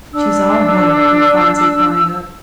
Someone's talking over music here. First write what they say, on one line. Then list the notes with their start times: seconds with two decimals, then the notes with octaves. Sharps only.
"She's all home," echoed Phronsie, flying up.
0.14 D4 E6